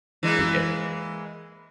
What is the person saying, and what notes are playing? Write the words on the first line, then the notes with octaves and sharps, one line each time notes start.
And get
E3 G#3 A#3